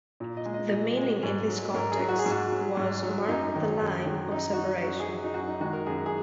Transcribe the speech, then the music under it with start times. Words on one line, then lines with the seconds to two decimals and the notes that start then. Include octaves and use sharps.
The meaning in this context was "marked the line" of separation.
0.20 A#2
0.37 D#5
0.46 G#3
0.54 D#5
0.71 A#2 D#5
0.97 G#3
1.23 G#2
1.48 F#3
1.74 G#2 A#4
1.92 G#4
1.99 F#3
2.08 F#4
2.19 G#4
2.26 G#2
2.31 F#4
2.52 F#3
2.77 G#2
3.03 F#3
3.28 F#2 D#4
3.54 D#3 F#3
3.81 F#2
4.06 D#3 F#3
4.31 F#2 D#4
4.53 F#4
4.57 F#3 D#4
4.83 F#2 F#4
5.00 G#4
5.09 F#3
5.24 D#4
5.34 F#2 F#4
5.48 D#4
5.60 D#3 G#3 F#4
5.73 A#4
5.86 F#2 G#4
6.06 G#4